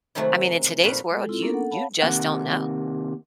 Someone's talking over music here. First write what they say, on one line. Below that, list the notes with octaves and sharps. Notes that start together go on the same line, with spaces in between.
I mean, in today's world, you you just don't know.
C3 D#3 F#3 G#3 A3 F#4
F2 A#2 F#4 B4 F5
G#3 A4
C4 E4 F4 A4
A#3 B3 C#4 D4 A4 A#4
A4 F#5
C#5 F5 F#5 A5 B5
C3 D#3 A#3 F#5